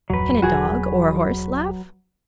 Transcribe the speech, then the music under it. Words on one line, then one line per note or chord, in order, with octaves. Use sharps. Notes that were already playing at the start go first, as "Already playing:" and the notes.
Can a dog, or a horse laugh?
D1 F2 F#3 B4
E1 F#4 G#4